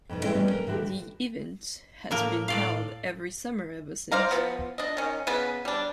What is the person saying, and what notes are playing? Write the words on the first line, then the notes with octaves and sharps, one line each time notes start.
The event has been held every summer ever since.
F2 B2 D#4
E3 G#3 C4 C#4 E4 D#5
F#3 G3 B3 C#4
A#4
D3 E3 F#4 G4
A2 A#3 A#4
A2 D5 F5
C5 D5 F5 A#5
F3 B3
D4 D#5
D#3 C#4
C#3 B3 B4
G3 D4